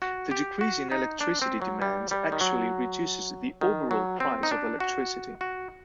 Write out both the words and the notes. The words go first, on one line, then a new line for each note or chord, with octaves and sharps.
The decrease in electricity demand actually reduces the overall price of electricity.
F#4
G4
F#4
D#4
D4
C4
F#3
G3
G3
D#3
F#3
D#3
F#3
C4
D#4
D4
F#4
F#4